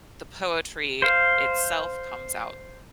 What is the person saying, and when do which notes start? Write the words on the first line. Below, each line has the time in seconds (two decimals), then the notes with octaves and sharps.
the poetry itself comes out
1.02 C5 F5